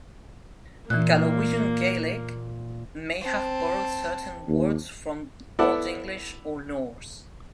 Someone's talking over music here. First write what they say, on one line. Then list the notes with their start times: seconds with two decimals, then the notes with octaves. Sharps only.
Gallowegian Gaelic may have borrowed certain words from Old English or Norse.
0.90 A#2 E3 A#3 F#6
3.21 C4 A5
4.48 D#2
5.59 B3 E4 A4 D5 F#5